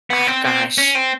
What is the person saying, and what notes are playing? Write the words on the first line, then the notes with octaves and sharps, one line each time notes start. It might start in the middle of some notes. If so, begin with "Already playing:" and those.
Oh gosh.
B3
C4
C4
C#4
C4